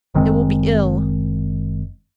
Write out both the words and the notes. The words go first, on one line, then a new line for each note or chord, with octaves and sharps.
It will be ill.
F#1 D#3 G#3 C4